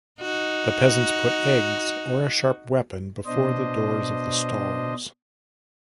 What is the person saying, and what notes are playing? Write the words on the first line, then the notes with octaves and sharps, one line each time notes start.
The peasants put eggs or a sharp weapon before the doors of the stalls.
D#4 F#4
B2 D4 C5 D#5